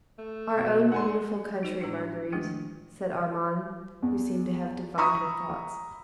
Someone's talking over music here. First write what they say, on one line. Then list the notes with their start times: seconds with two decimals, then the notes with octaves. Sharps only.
"Our own beautiful country, Marguerite," said Armand, who seemed to have divined her thoughts.
0.19 A3
0.56 B2
0.92 A3 D#4 G#4 D5 F#5 G#5 C6
1.63 D#4 F#4 C5
1.81 A2 E3 G#3 D4
2.32 D#3 F3 G#3 A3 D4 E4
4.02 E2
4.98 A#5 B5 C#6 D#6 E6